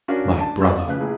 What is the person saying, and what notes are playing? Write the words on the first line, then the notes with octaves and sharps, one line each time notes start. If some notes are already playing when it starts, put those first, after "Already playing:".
My brother!
C#4 D4 F#4 A#4 F5
D4 A5
D5 D#5 F5 F#5 E6
C#3 F3 B4 F#6
A#1 E4 G#4